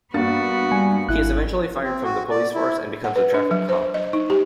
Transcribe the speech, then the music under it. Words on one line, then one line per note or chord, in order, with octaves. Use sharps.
He is eventually fired from the police force and becomes a traffic cop.
G2 A#3 B3 F#4 A6
G3 G#5
G#1 E4 F#6
C4
F#4
D5
E4
F#5
B4
D4
F#3
C5
D#5
D#4
G4